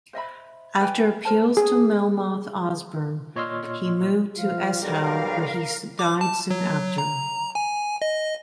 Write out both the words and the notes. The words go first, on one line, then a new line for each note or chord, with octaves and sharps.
After appeals to Melmoth Osborn he moved to Eshowe, where he died soon after.
C5 D#5 E5 B5
B4 G5 G#5
A#4 C5 A5
G#4
A#2 C#5 D#5 C6 E6 F6
F3 F4 F5
B1 G3 A#4 F5
D6
A5
F#3
A#5
G#5
D#5